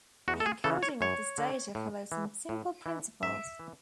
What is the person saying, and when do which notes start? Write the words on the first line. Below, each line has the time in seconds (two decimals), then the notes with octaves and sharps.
The encoding of this data follows some simple principles.
0.28 E2 F#4
0.40 A4
0.46 G#4
0.64 C#3 E3 A4
0.83 C#5
1.01 F#2 C#5
1.38 D3
1.75 A2
2.12 E3
2.49 A2
2.86 E3
3.23 G#2 E5
3.60 E3